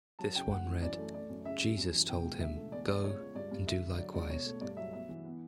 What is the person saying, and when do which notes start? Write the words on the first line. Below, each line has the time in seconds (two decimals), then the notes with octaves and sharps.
This one read, 'Jesus told him, Go and do likewise.
0.19 F#3 A5
0.35 C#3 G5
0.51 D2 F#5
0.66 E3
0.82 F#2 D5
0.98 A3
1.14 A3 D5
1.29 F#2
1.45 C#3 E5
1.62 G3
1.77 F#2
1.93 E3
2.08 B2 G5
2.25 C#2
2.40 D3 E5
2.56 A3
2.72 E2 D5
2.88 B3 D5
3.03 C#2 C#5
3.20 C#2
3.35 G2 D5
3.51 G2
3.66 D3 E5
3.83 D3
3.98 F#3 D5
4.14 C#2 D5
4.29 B2 C#5
4.46 A3
4.61 G2 D5
4.77 F#3 E5
4.93 B3 E5
5.09 E3
5.25 B3